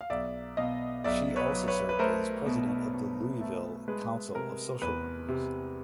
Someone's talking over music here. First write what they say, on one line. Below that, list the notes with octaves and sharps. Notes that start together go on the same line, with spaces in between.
She also served as president of the Louisville Council of Social Workers.
F5
B1 D5 E5
B2 D#5 F5
B1 D5 E5
B4 C#5
F#3
B4 C#5
B4
A3 A#4 C5
B2
B2
A3
G#3 B4
C3 A#4
E2 B4
C3